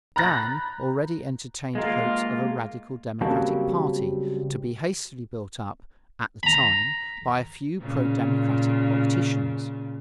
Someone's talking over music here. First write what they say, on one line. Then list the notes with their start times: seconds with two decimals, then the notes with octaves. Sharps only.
Dan already entertained hopes of a radical-democratic party to be hastily built up, at the time, by a few pro-democratic politicians.
0.16 A#5 B5 F#6 G6 A6 A#6
1.75 G#3 A#3 F4
3.21 C#3 F#3 G3 A#3 C4 A4
6.43 A#5 B5
7.81 A#2 C#3